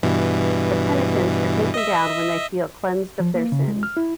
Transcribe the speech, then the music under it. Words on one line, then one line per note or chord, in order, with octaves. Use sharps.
The penitents are taken down when they feel cleansed of their sin.
G2 B2 E3
D#5 E5
F3
A#3
C#3
G#3
F6
E4